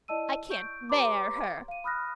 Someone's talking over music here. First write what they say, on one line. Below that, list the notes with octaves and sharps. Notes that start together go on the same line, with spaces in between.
I can't bear her.
E4 D5 D#5 A5 E6 D#7
C#6 G6 D7
G4 B4 C#5 A#5 C6 D6
F5 D#7
B5 D#6 F6 F#6 A#6